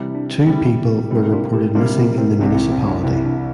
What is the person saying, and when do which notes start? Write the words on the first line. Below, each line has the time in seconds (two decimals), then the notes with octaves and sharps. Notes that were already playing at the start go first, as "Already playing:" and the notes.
Two people were reported missing in the municipality.
Already playing: C3 E3 G3
0.15 D4
0.47 C3 E3 G3 C4 E4
1.11 C3 G3 A#3 C4 E4
1.32 D4 F4
1.54 E4 G4
1.75 C3 G3 A#3 D4 F4
1.97 C4 E4
2.18 C4
2.39 C2 C3 E3 D4
2.55 C4 E4
2.71 C4 E4
2.87 D4
3.03 C2 C3 E3 C4
3.25 D4